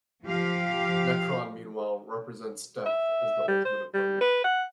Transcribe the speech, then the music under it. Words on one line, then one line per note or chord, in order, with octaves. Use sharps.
Nekron, meanwhile, represents Death as the Ultimate Opponent.
F3 G4 F5
E5
G3
C5
G3
B4
F#5